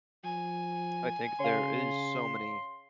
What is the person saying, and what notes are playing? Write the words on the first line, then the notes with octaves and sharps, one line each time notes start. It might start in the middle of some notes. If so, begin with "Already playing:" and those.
I think there is so many
F3 G#5
C#3 C#5 F5 C6